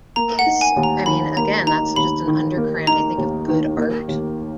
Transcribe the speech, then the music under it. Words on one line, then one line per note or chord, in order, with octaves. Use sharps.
is I mean, again, that's just an undercurrent, I think, of good art.
A#3 A#5
F#5
D#4
G#5
D#2
A#5
D#3 B5
A#3 A#5
D#4 A#5
D#2 B5
D#3
A#3
D#4 A#5
D#2
D#3
A#3
D#2